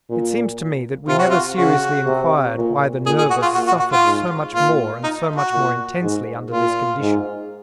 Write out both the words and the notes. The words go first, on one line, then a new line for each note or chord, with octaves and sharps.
It seems to me that we never seriously inquired why the nervous suffered so much more and so much more intensely under this condition.
A#2
C3 F4
F#4
F4
C#3 F#4
C3
A#2
A#2 G#4
G#4
F#4
F4
A#2 F#4
F#4
F#4
F4
G#2
A#2 F4
D#4
F#4
A#2
G#2
A#2 F4
G#2